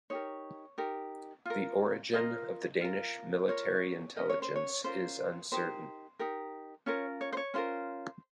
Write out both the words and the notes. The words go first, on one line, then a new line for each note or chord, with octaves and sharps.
The origin of the Danish military intelligence is uncertain.
D#4 G4 A#4 C#5
D#4 G4 A#4
F4 A#4
F4 A#4 D#5
F4 A#4
F4 A#4 C#5
C#4 F4 A#4 D#5
C#5
C5
C#5
C#4 F4 A#4 C5
D#4 G4 A#4 C5
D#4 G4 A#4
C#4 F4 A#4 C#5
C#5
C5
C#5
C#4 F4 A#4 C5